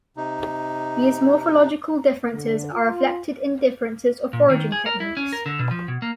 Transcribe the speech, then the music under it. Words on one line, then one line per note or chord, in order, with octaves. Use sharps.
These morphological differences are reflected in differences of foraging techniques.
C3 D#4
D3
F4
A#2
D#3
G#4
A#4
E4
C#4
A#4
D3
B2
F3
B2
A#3